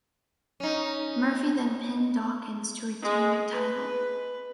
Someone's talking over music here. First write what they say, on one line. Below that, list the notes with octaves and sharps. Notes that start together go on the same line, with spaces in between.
Murphy then pinned Dawkins to retain the title.
C#4 D#4
G#3
B4